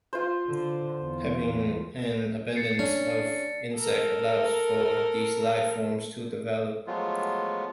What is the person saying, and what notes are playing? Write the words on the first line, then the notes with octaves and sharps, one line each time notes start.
Having an abundance of insects allows for these life-forms to develop.
F4 C5
D3
E2
A6 C7 C#7
C#4 D4
A4 A#4
F3 F#3 G#3 A3 B3 F4